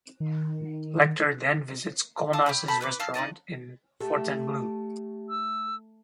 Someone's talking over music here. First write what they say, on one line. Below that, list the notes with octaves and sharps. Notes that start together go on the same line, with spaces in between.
Lecter then visits Kolnas' restaurant in Fontainbleau.
D#3
F5 A5 D#6 E6
G4 C#5 B5
A4 C5 A5 B5
B4 B5 D6
F5 A5 E6 F6
D#4 G4 D5 D#5
A3 G4
E6